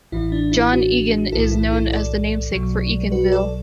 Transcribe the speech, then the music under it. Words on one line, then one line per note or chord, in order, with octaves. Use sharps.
John Egan is known as the namesake for Eganville.
A1 A2 E3 E4
D4
E4
D4 F#4
B1 A2 E3 E4 A4
E4 A4
E4 A4
A4 D5
B1 B2 F#3
F#4 B4
A4 D5